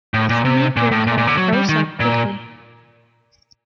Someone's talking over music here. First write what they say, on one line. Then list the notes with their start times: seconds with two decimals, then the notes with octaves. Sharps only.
Snegurka grows up quickly.
0.14 A2
0.30 A#2
0.45 C3
0.77 A#2
0.91 A2
1.07 A#2
1.18 A#2
1.27 D3
1.37 F#3
1.53 G3
1.69 D#3
2.00 A#2